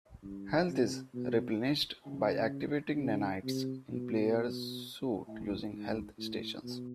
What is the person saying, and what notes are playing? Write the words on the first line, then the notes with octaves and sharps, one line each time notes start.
Health is replenished by activating nanites in player's suit using health stations.
G2
C3
B2
C#3
C#3
C3
B2
A2
G#2
A2
B2